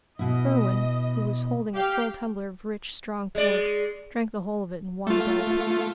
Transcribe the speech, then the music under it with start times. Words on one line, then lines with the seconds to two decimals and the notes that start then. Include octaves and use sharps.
Berwin, who was holding a full tumbler of rich, strong port, drank the whole of it in one gulp.
0.19 B2 E4 D#5
1.75 G4 F5 G5
3.35 G#3 D5
5.07 A3 F4